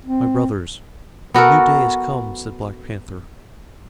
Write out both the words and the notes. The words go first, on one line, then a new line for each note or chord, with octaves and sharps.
"My brothers, a new day has come," said Black Panther.
C4
B3 F#4 A4 A#4